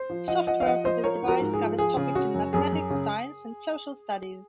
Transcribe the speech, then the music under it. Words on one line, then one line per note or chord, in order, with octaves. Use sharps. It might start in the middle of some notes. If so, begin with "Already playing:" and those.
Software for this device covers topics in mathematics, science, and social studies.
Already playing: C5
F3
F3 D#5 F#5
F3 D#5 F#5
F5
F3 D#5 F#5
F3 C5 D#5
F3 A#4 C#5
F3
F#4 A#4
G#2
G#4
F3
F3 G#4
C#3
C#3 F#4
F#2
F#2 G#4
F#2
C#3